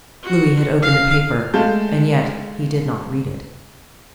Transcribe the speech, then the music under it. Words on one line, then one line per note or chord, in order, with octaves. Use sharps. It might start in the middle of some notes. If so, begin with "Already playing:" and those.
Louis had opened the paper, and yet he did not read it.
F#4
F5
G#3 A3 F5 A5 G6